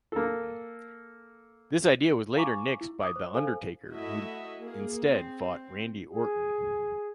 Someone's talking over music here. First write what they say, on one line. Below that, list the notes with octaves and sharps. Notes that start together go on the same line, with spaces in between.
This idea was later nixed by The Undertaker, who instead fought Randy Orton.
A#3 A4
F5 G#5 A#5 C#6 D6
E4
D6 D#6
C5
A4 C5 F5 G#5
A3 E4 F#4 D#5 E5
A#3 G#4
C4
G#4